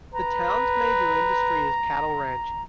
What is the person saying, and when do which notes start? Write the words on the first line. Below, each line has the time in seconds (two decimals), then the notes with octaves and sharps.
The town's major industry is cattle ranching.
0.14 B4 A#5